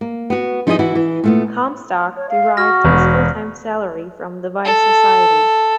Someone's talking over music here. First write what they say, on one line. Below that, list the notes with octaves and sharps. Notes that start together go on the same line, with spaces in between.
Comstock derived his full-time salary from the vice society.
A#3
B3 F#4
F3 D#4 E4 G#4 C#5 D#5
E3 E4 F#4
E3
A#2 A3 B3
C#5
F5
F#4 F6 A#6
E1 B3
A4